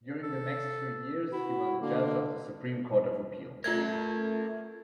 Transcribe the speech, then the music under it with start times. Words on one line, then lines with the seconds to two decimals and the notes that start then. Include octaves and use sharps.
During the-next few years he was judge of the supreme court of appeal.
0.23 A4
1.32 E4 F#4
1.81 D3 A#3
3.64 A3 F4 A#4 E5 G#6